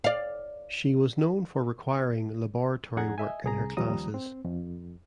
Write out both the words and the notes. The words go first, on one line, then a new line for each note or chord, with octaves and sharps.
She was known for requiring laboratory work in her classes.
D5 F5
F2 D4 G#4 F#5 A#5 G#6
D#5 E5 G#5
C2 G#4 A#5
D#2 F3 G3 A#5 D#6
C4
F2